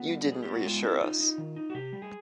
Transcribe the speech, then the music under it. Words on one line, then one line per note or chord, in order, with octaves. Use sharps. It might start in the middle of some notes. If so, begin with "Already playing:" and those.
You didn’t reassure us.
Already playing: B3 F4
G3
G3 G#4
B3 G4
F#4
G#3 F4
C4 E4
D#4 F4
D#4
D#3
D#4
F#4
C3 G4
G3
G#4